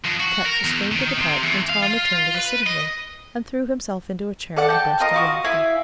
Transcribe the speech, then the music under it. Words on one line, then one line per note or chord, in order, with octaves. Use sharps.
Ketch was fain to depart, and Tom returned to the sitting-room, and threw himself into a chair in a burst of laughter.
F2
F#4
A#4
E2
D#3
C3
E2
F5
F4
B4
D#5
A4 D5 F#5
G5 A5
F4 A#4 D#5
F4 F#4 D#6
E4 E5 F5 G#5